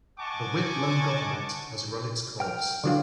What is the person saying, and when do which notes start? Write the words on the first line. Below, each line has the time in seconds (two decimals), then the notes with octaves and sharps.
The Whitlam Government has run its course.
0.20 D#5 F#5 G#5 A5 C#6 D6
2.40 G5 F6
2.84 D3 F#3 F4